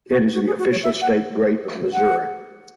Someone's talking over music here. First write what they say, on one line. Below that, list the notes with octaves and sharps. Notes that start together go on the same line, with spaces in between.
It is the official state grape of Missouri.
F#4
F#4
G#4
F#4
C#5
E5
F#5
F#5